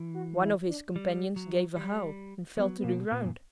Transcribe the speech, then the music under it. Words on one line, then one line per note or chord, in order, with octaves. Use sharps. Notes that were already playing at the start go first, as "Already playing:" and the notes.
One of his companions gave a howl and fell to the ground.
Already playing: E3
F#4
E4
D4
G3
F#3
G3
F#3 B3
B3
B2 A#3
A#2 B3
F#2